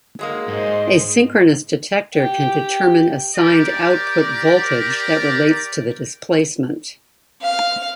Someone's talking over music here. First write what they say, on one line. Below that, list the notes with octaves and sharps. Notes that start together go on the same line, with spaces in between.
A synchronous detector can determine a signed output voltage that relates to the displacement.
F#3 G#3 A#3 D#4 G#4
G#2 C5 D#5
G4
G4 A#4 D5
F5